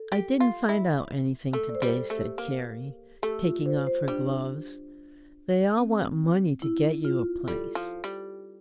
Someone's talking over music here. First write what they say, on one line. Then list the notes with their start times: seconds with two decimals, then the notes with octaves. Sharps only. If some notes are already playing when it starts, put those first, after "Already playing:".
"I didn't find out anything to-day," said Carrie, taking off her gloves. "They all want money to get you a place."
Already playing: A4
0.12 G4
0.40 F4
0.69 E4
1.53 A3 A4
1.69 D5
1.75 C5
1.82 G3
1.88 G4
1.96 A4
2.10 A3
2.17 G4
2.38 A#3
3.23 A3 G4
3.44 F4
3.66 C5
3.87 C5
4.08 G3 D4
5.78 C4
6.62 E4
7.05 F4
7.47 G3 A4
7.75 F3
8.04 G3